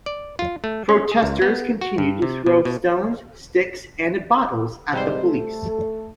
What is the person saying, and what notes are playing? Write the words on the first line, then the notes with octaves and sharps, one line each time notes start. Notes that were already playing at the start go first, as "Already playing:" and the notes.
Protestors continued to throw stones, sticks and bottles at the police.
D5
F4
A3
C#4
G#4
C#2
B3
F#4
G2
C3
B2
B2
G#2 C3 E3 G3 C5 D#5
A3 A4